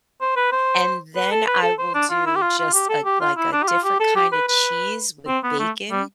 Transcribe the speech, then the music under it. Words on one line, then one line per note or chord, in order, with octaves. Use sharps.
And then I will do just a, like, a different kinda cheese with bacon.
C5
B4
C5
B4
A4
B4
A4
C5
D4
F4
E4
G4
F4
F4
G4
A4
G4
F4
E4
D4
G4
F4
G4
A4
G4
B4
B4
C4
B3
A3
G3